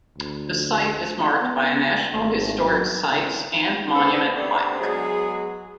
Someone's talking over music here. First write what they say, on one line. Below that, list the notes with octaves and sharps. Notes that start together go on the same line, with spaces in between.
The site is marked by a National Historic Sites and Monument plaque.
D2
B3
G#1 A#3 C5
G2 F#3 B3
B3 G#4 A4 B4 C5
C3 A3 B3 C4 D4
F#3 G#3 B3 G#4